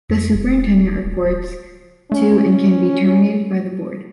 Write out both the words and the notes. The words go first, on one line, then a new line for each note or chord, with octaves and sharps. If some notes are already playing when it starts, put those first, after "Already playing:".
The Superintendent reports to and can be terminated by the Board.
F2
E1
D1
A3 C#4